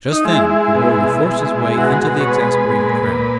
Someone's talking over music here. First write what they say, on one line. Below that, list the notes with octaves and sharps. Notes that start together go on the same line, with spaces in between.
Just then a warrior forced his way into the exasperated crowd.
D#4
G#3 E4
G#3
B2
B2
G#3
G#3
B2 F#4
B2
C#5
G#3 B4
G#3
A#2
A#2